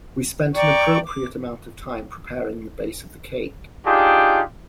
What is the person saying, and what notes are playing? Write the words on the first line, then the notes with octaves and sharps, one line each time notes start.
We spent an appropriate amount of time preparing the base of the cake.
D5 G5 A#5 C#6
D6
D4 D#4 F4 G4 G#4 G5